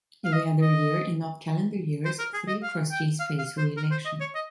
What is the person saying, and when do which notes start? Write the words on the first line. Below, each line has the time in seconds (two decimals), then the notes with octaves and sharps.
Every other year, in odd calendar years, three trustees face re-election.
0.25 F5
0.33 D#5
0.61 D#5
2.05 C5
2.19 A#4
2.33 G#4
2.48 D#5
2.63 F5
2.91 G5
3.20 F5
3.38 F5
3.58 C5
3.77 A#4
3.91 C5
4.05 D#5
4.20 C#5
4.35 D#5